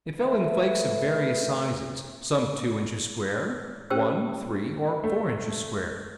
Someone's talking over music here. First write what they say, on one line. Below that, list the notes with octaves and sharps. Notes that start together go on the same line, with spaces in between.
It fell in flakes of various sizes; some two inches square, one, three or four inches square.
A3 B4 E5
C#4 G4 C5 G5 E6
A3